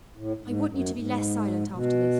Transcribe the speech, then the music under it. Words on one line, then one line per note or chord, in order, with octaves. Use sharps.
I want you to be less silent after this.
A2
A2
G#2
F#2
G#2
B2